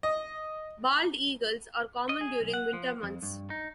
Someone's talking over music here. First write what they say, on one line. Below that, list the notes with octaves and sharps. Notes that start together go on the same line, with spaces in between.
Bald eagles are common during winter months.
D#5
D#5
G#4
B1
F#5
F3
F2
G2
D#4